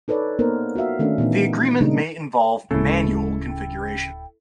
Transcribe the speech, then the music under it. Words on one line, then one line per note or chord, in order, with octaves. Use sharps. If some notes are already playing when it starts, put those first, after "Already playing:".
The agreement may involve manual configuration.
D#4 A4 B4 C#5 D5
A#3 B3 D#4 A#4 C5
F4 F#4 E5 F5
D#3 A3 C#4 D4
A#2 E3 B3 D#4
C#3 G3 G#3 A#3 D4 D#4
D1 C#3 G#3 A#3 E4 A4
G5